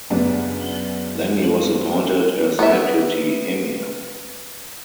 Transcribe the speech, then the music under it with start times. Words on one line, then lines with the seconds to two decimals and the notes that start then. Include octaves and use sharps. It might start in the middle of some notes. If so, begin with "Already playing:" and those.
Then he was appointed as Deputy Emir.
0.10 F#2 C#3 B3 D4
2.59 B3 E5